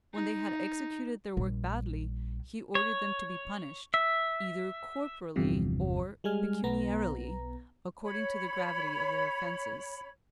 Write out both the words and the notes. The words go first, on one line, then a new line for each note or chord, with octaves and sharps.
When they had executed their work badly, he ordered them to be punished, either corporally or pecuniarily, according to the gravity of their offences.
D#4
A#1 G3
C#5
E5
G1 E2 G2 C3 F3
G3 G#3 G#5 F6
B1 B3 A#5
C#5 B5